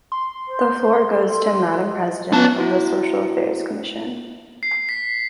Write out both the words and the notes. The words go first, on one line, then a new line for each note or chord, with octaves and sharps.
The floor goes to Madam president of the social affairs commission.
C6
C5
A4
D#5
B3 C#4 A5
E4 F#4
C7
B6